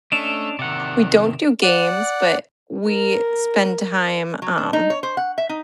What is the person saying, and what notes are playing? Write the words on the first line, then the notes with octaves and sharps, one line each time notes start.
we don't do games, but we spend time, um
A3 C#4 D4 D#5 D7 E7 F7
C3 D#3 D5 F#5
D5 F#5
A#4
F#3
D4
D#4
C#5
C5
F#5
E5
D#4